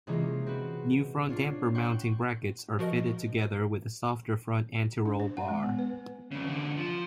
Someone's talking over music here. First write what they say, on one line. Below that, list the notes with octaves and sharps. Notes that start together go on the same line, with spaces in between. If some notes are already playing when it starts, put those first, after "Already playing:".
New front damper mounting brackets are fitted together with a softer front anti-roll bar.
C3 E3 G#3 A#3 C#4 F4
C4 F#4 B4
D4 F4 C#5
F#5 G5 C6 C#6
F3 F#4 A#4 D#5
D4
C5
F#5
G#3
B3
B4
F2 C#3
E2 D3
F3